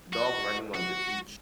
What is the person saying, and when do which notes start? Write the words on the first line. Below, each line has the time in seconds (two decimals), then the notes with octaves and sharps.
A dog running on the beach.
0.13 F#4
0.75 F#4